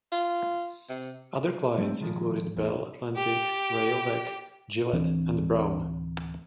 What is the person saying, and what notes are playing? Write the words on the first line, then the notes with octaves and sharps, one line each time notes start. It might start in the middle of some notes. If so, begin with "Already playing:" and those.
Other clients included Bell Atlantic, Rayovac, Gillette, and Braun.
F4
C3
F#3 A3 C4
D#3 F3 G#3
A1 E2 A2
G4
D1 E3 C4 D4